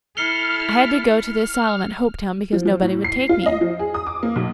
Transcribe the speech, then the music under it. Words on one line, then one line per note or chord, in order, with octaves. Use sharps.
I had to go to the asylum at Hopeton, because nobody would take me.
E4 A4 F6 C7 C#7 G7
F3
F3
A2
C7
F4
D#5
F3
G#4
D#6
D6
A#3
B1